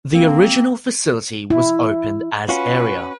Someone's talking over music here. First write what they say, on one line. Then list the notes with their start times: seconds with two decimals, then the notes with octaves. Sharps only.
The original facility was opened as area.
0.13 A#3 C4
1.50 E4
2.49 C#4 F4 F#4 B4